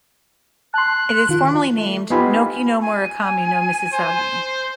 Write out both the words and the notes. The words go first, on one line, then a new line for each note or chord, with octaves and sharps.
It is formally named "Nochi no Mukarami no misasagi".
A5 C6 F#6
D#3 F4
A3
B3 D#4 F4 G4 G#5 B5
G#5
C5